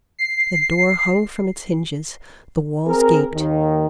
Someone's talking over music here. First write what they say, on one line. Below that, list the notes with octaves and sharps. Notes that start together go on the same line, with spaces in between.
The door hung from its hinges, the walls gaped.
C7
C4 G#4 A#4
D#2 D#3